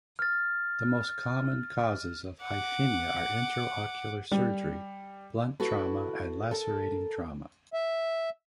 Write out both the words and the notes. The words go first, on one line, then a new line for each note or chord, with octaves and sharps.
The most common causes of hyphema are intraocular surgery, blunt trauma, and lacerating trauma.
F6 A6
F#5 D6
G3
E4 F#4 A4 B4
A4 A#4 A5
E5